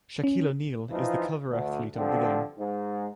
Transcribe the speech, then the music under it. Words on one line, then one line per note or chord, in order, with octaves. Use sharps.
Shaquille O'Neal is the cover athlete of the game.
C#4
E3 F3 D#4 F4
D2
G2 D3 F3 C4
G#2